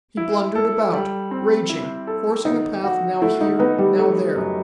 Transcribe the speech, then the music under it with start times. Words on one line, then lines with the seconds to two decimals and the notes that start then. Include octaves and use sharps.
He blundered about, raging, forcing a path now here, now there.
0.17 E4
0.55 A4
0.93 G3
1.31 C4
1.69 E4
2.07 A4
2.45 B3 D#4
2.84 F#4
3.22 A3 E4
3.41 D#4
3.59 B3 D#4
3.78 G3
3.98 A3
4.36 F#2